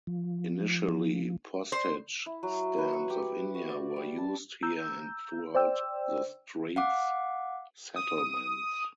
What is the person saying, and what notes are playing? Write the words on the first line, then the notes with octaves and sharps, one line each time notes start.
Initially, postage stamps of India were used here and throughout the Straits Settlements.
F3
C5
E4
F#3
B4
C#6
G4
F#4
D5
G3
A5
A#5 E6 G6
C5 D5 G5 E6
F5 F#5 D6
D#6